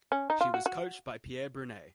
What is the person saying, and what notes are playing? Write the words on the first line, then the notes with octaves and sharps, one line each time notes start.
She was coached by Pierre Brunet.
C#4
D#4
F4
F#4
F#4